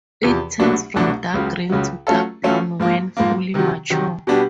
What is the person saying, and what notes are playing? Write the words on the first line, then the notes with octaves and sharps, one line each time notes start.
It turns from dark green to dark brown when fully mature.
E2 C3 F3
C2 B2 F#3 A3 D4
C2 B2 F#3 A3 D4
C#2 C#3 F#3
C#2 C#3 F#3
F#3 A3 C#4 F4 A4
F#3 A3 C#4 F4 A4
G#2 F3 A#3
G#2 F3 A#3
C3 D#3 F#3
C3 D#3 F#3
B2 G3 B3 D4 G4